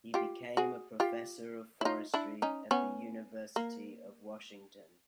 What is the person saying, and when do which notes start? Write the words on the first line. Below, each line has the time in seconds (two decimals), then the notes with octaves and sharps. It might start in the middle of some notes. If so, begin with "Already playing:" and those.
He became a professor of forestry at the University of Washington.
0.14 F4 G4
0.57 F#4 G#4
1.00 F4 G4
1.81 E4
1.85 D#4 F4
2.14 D4 E4
2.42 C#4 D#4
2.71 B3 C#4
3.56 A#3